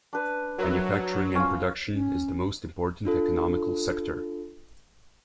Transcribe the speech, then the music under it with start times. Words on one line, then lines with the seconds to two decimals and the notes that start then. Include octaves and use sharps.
Manufacturing and production is the most important economical sector.
0.13 D4 B4
0.58 F#3 A#4 B4 E5
0.94 E6
1.35 C#4 F4
1.93 C#4
3.05 D4 F4 A4